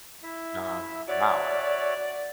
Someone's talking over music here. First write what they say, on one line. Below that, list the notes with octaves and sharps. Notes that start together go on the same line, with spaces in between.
Um, wow.
E4 E5
F#4 C#5 D5 E5